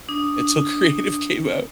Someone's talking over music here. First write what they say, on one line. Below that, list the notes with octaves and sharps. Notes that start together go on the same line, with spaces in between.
until Creative came out.
D4 D#6